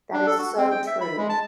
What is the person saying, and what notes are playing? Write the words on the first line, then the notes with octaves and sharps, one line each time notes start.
That is so true.
D4
A4
F#4
C4
G5
E5
B5
G#3
A5